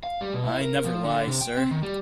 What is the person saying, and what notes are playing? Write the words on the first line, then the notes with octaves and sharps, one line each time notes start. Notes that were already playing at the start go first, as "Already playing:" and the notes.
I never lie, sir.
F5
G3
B2
E4
A#4
F3
D3
C3
G5
C4
D#3
G3